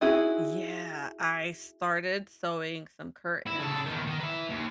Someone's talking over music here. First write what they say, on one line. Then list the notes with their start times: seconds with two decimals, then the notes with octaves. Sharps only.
Yeah, I started sewing some curtains,
0.01 C4 D#4 E4 F#4 G#4
3.47 E4
3.60 C#3 A4
3.86 E2 D#3
4.07 D#3
4.20 B4 E5
4.50 D#2